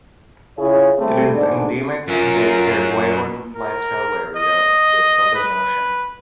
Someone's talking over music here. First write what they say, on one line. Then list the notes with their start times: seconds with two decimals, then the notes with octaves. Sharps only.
It is endemic to the Kerguelen Plateau area of the Southern Ocean.
0.57 C#3 E4 F4 G#4 C#5
0.98 D3 G3 A3 C4 G#4 A4
1.33 E2 G#2 D3 G#3 D4
2.08 F#2 C#4 F4 A#4
3.56 A#4
4.37 D#5
5.35 B4